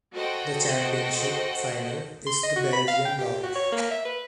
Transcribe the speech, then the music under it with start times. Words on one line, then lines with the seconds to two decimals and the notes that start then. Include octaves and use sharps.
The championship final is the Belgian Bowl.
0.13 F#4 A4 C5 D#5 F#5 G5
2.26 C6
2.43 D#5
2.56 F#4
2.73 B5
2.88 F5
3.05 G5
3.19 G4
3.43 F#4
3.55 C#5
3.72 A#3
3.91 E5
4.05 B4